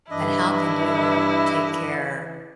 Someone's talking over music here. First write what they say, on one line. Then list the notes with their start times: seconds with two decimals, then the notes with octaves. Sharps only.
then how can you take care
0.11 G2 E3 D4 E4 D#5